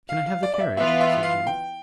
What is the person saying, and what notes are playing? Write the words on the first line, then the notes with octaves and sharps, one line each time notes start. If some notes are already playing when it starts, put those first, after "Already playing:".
"Can I have the carriage?" said Jane.
F5
F5
D5
D5
E5
E3 B3 F4 E5
E5
F5
G5